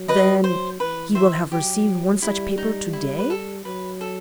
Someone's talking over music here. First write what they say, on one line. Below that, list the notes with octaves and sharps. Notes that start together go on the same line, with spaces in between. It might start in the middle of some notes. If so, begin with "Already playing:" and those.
"Then he will have received one such paper to-day?"
Already playing: F#3
B4 D#5
C5
E3 B4
C5 E5
F#3 G4
G3 E4
D#4
E4
B4
A4
F#3 B4
A4